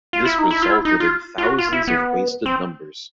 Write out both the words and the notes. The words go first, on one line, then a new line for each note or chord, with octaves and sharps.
This resulted in thousands of wasted numbers.
F4
E4
D#4
E4
F4
E4
D#4
F4
F4
F#4
F4
E4
B3
C4